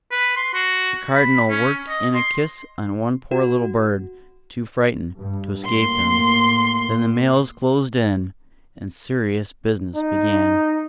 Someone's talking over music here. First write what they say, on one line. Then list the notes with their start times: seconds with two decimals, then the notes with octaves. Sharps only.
The Cardinal worked in a kiss on one poor little bird, too frightened to escape him; then the males closed in, and serious business began.
0.11 B4
0.37 C6
0.54 F#4
1.15 B5
1.50 C#4
1.89 D#5
2.15 C6
3.31 F#4
5.17 G2
5.65 A2 A#3 C6
9.96 D#4